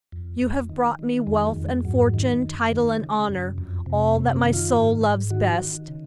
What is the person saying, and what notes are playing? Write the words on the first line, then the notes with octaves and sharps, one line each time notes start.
You have brought me wealth and fortune, title and honor--all that my soul loves best.
F2
F2
D#3
D#3
F2 G#3
G#3
F#3
F2
G#3
G#2 F#3
D#3
F#2
D#3
C#3
F#2
F2
C3
F#2 A#3
C4
D#3
F4
G#2
G#2
D#3 F#4
D#3
C#3